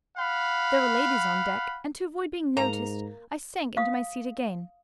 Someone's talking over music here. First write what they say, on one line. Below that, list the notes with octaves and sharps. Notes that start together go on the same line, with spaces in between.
There were ladies on deck, and to avoid being noticed I sank into my seat again.
F5 F#5 B5
G#2 A#3 A#5
F5 D#6